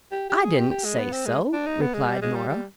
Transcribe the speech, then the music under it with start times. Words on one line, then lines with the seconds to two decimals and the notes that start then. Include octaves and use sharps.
"I didn't say so," replied Nora.
0.12 G4
0.30 G4
0.43 G#4
0.57 G4
0.71 G4
0.85 G#3
0.98 B3
1.12 C4
1.26 G#3
1.53 D4
1.67 D#4
1.81 B3
1.94 G#3
2.08 G3
2.22 G#3
2.36 G3
2.49 G3